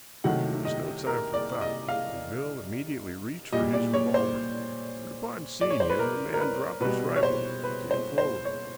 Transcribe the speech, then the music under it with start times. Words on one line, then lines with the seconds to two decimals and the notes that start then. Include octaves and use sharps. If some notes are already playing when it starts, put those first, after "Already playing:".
There was no time for thought, and Bill immediately reached for his revolver, but upon seeing him the man dropped his rifle and came forward.
0.24 C3 D#3 F#3 A3 F#5
0.65 D#5
1.07 A#4
1.34 D5
1.61 D#5
1.89 F5
3.52 A#2 G3 D#5
3.73 D5
3.94 C#5
4.14 C5
5.61 D5
5.70 C#5
5.80 C5
5.90 B4
5.99 A#4
6.34 A#4
6.40 B4
6.81 B2 G3 B4
7.16 C#5
7.23 C5
7.64 B4
7.91 C5
8.18 C5
8.45 C#5